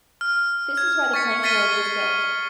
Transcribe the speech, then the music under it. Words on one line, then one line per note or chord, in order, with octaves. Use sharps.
This is why the Plank Road was built.
F6
G#6
C#6 A6 B6 C#7
F6 A6 B6 C7 D#7 G7